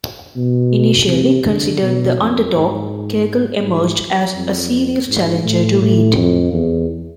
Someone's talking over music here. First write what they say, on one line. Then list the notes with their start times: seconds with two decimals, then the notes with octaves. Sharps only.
Initially considered the underdog, Cagle emerged as a serious challenger to Reed.
0.36 B2
1.08 C3
1.45 D3
1.82 B2
2.18 F2
2.54 G#2
3.62 G#2
4.35 F2
5.08 G#2
5.44 A2
5.81 A2
6.17 F2
6.53 E2